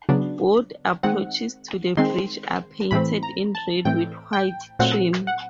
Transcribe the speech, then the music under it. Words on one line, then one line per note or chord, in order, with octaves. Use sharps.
Both approaches to the bridge are painted in red with white trim.
C#3 F#3 B3 D4
D#3 G#3 C4 F#5
D#3 G#3 C4 C6
A2 E3 A3 C4 B5
A#5
A5
A2 E3 A3 C4 G5
G5
A#2 F#3 A3 C4 F#5
F#5